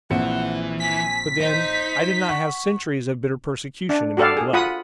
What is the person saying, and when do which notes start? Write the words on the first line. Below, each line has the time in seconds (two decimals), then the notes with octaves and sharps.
But then I did not have centuries of bitter persecution in my blood.
0.11 A#1 E3 C4 F#5 C#7
0.80 G#5 B6
1.41 D#4 C5
2.29 F#5 C#6
3.89 D4
4.17 F#4 G4 A4 D5 F5
4.37 G#4
4.53 F4 F#5 B5 D#6